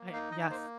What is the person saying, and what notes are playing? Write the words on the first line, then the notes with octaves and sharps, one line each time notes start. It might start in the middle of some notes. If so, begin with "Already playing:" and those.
I yes,
Already playing: A#3
D#4 F5
D#5
A#3 C5